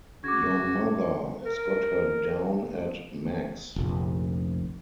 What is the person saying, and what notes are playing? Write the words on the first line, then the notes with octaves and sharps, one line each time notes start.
Your mother has got her down at Meg's.
C#3 F#4 D6 G#6
A#4
F1 A#1